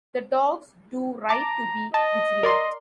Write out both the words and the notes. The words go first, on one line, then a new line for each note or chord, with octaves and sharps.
The dogs do right to be vigilant.
A5 A#5 D6
D#5 A5
A#4 D5 C6